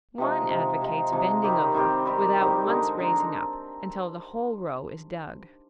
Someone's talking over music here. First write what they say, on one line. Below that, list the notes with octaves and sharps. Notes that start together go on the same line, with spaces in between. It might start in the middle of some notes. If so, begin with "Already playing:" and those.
One advocates bending over, without once raising up, until the whole row is dug.
C3 F3 G#3 D#4
C3 F3 G#3 D#4
C3 F3 G#3 D#4
C3 F3 G#3 D#4
D#3 G3 C4 G4
D#3 G3 C4 G4
D#3 G3 C4 G4
D#3 G3 C4 G4
D3 G#3 D#4 A#4
D3 G#3 D#4 A#4